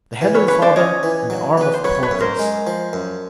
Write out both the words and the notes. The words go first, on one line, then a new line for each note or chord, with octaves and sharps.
The head of the father, and the arm of Porthos.
E3
B4 C#5
C#3 B4 C#5
C5 D5
C#3 C#5 D#5
E3
F#3
B3 B4
C5
F#3 B4 C#5
B4 C#5
F#2
A#4 C5
G#3
F3
F#2